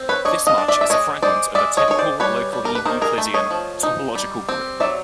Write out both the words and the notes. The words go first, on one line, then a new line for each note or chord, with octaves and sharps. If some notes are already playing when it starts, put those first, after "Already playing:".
This much is a fragment of a typical locally Euclidean topological group.
Already playing: C4
B4 C#5
D4 C#5 D#5
D#5 F5
D4
D5 E5
E5
G#3 C#5 D#5
G#3 C5 D5
G#3 D5 E5
C#5 D#5
G#3 C#5
C5 D5
G3 B4 C#5
G3
A#4
B4
D#3 A#4 C5
G#4 A#4
A3
C#5 D#5
F3
D#4
G3
C4
F#3 D5 E5